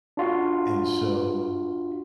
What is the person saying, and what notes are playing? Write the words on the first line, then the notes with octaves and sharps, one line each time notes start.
and so
D4 F4 F#4